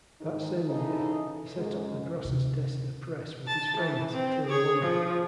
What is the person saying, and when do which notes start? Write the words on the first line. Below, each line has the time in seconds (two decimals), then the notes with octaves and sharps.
That same year, he set up the Grosseteste Press with his friend Tim Longville.
0.21 G#2 D#3 D#4
0.66 C#3 E3 D#4 E4 A4
1.55 F#2 G#3
2.25 D2 C3
3.47 A5
3.78 E3
4.12 C4
4.46 G#4 C#5
4.82 F3